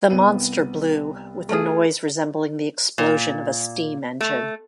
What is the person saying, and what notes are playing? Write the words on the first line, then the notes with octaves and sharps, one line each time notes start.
The monster blew, with a noise resembling the explosion of a steam-engine.
C2 B3 D#7
A3 F4 G#4
A#2
A3